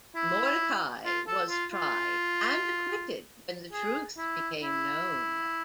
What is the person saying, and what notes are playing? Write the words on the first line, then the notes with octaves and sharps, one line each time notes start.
Mordechai was tried, and acquitted when the truth became known.
E4
F4
A4
F4
F4
G#4
E4
E4